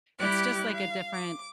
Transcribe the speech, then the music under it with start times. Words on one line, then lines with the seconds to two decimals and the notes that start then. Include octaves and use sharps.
it's just, like, a different
0.18 G3 E4 G4 D6 F#6
0.71 F5
1.12 D6